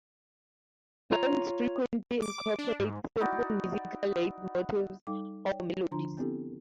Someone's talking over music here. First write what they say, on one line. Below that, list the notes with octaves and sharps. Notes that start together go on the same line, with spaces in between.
Burns frequently incorporates simple musical leitmotifs or melodies.
F4 C#5 A#5
D6
D4
G#2
D#4 E4 F#4 D5
G3 D#4 A4 F5 G5 D6
C#5 D5 G5
D3 F3 D4 F4 A#5 C6
B3 C4 D4 E4 G4 A4